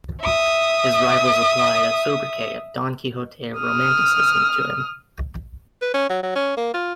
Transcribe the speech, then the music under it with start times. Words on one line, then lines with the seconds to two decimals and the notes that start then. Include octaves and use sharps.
His rivals applied a sobriquet of "Don Quixote of Romanticism" to him.
0.21 E5 D#6
3.60 D#6 F6
5.82 B4
5.94 C#4
6.09 F#3
6.23 F#3
6.36 C#4
6.57 A#3
6.74 F4